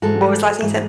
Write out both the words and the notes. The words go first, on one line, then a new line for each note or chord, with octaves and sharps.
What was the last thing you said?
G#2 E3 G#3 F#4 A4
G#2 E3 G#3